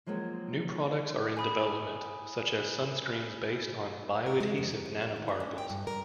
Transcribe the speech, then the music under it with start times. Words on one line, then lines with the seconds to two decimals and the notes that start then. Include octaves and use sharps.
New products are in development such as sunscreens based on bioadhesive nanoparticles.
0.06 F3 F#3 G#3 A#3 C4
1.37 G#5 B5 D#6
4.26 A#4
4.40 G#3
4.58 F2
4.71 B2
4.86 F3
5.02 E2
5.16 D#3
5.29 D5
5.40 C#4
5.58 G5
5.70 G2
5.87 A#4